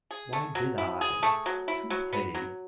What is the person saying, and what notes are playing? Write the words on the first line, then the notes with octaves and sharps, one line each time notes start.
Why did I? Too heady.
G#4
A3
F#3
E4
G#4
A3
F#3
E4
F#3
B3
F#3